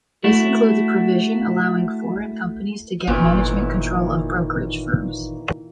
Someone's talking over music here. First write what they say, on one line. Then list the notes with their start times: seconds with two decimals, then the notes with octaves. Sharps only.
This includes a provision allowing foreign companies to get management control of brokerage firms.
0.24 A3 E4 F#4
3.07 G1 A#2 D#3 E3